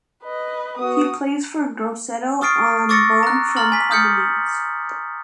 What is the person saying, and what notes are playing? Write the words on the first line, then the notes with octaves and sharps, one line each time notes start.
He plays for Grosseto on loan from Cremonese.
B4 D#5
B3 F#4 D#6
C#6 D#6 F6 A6 C7 D7
C#6 D6 E6 A6 A#6 C#7
A#5 F#6
A#5 C6 F6 A6 F#7
G#5 B6
D#6 F6 G6 A6 C#7